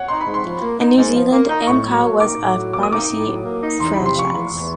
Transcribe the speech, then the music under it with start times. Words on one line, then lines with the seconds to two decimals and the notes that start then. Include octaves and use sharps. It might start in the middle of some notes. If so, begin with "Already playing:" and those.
In New Zealand, Amcal was a pharmacy franchise.
Already playing: C#5 F#5
0.08 D#4 C6
0.21 B5
0.26 G#2
0.34 C6
0.44 F3
0.61 A#3
0.80 D#4
0.97 G#2
1.14 F3
1.32 A#3
1.49 D#4
1.67 A2 C#6
1.85 F#3
2.03 A#3
2.20 D#4 D6
2.38 A2
2.55 F#3
2.73 A#3 D6
2.83 D#6
2.91 D#4 D6
3.10 A2
3.26 F#3
3.44 A#3
3.62 D#4
3.80 E2 C6
3.93 C3 B5
4.06 C6
4.15 F3 C#6
4.33 E2
4.51 E2